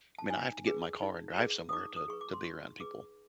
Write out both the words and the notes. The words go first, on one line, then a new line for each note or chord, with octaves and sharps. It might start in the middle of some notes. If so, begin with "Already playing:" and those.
I mean, I have to get in my car and drive somewhere to to be around people.
A5
D#4 G#5
G#4 B4
D#4
G#4 B4
D#6
D#4 D6
D#6
G#4 B4 C#6
D6
C6
D#4 C#6
G#4 B4 D6